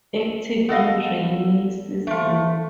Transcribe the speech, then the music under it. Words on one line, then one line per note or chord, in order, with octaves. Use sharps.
Active in rainy season.
B3 A4 D#5 F5
F3 A3